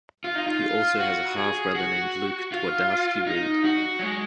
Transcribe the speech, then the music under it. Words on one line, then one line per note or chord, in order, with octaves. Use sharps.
He also has a half brother named Luke Twardowski-reid.
F4
D#4
F4
F#4
G#4
F#4
F4
D#4
F#4
F#3
G#3